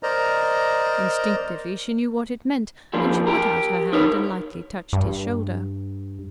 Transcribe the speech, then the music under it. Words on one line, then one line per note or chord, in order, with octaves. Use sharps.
Instinctively she knew what it meant, and she put out her hand and lightly touched his shoulder.
A#4 C5 D5 D#5 A#5
D#2 F3 A#3 D4
G4 A#4
D#4 A#4 B4 C#5
G2